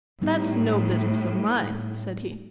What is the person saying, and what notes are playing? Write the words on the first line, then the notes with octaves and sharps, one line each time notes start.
"That's no business of mine," said he.
A2 G3 B3 D#4